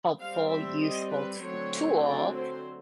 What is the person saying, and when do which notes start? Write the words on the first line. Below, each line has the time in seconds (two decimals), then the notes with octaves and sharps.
helpful, useful too tool,
0.19 G3 C4 F5
0.50 E5
0.80 D#5
1.12 B4
1.42 D3 F#3 A3 C4 C#5
2.03 D5
2.34 C5